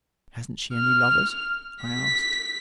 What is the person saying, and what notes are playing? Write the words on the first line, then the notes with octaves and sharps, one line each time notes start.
"Hasn't she any lovers?" I asked.
F6
B6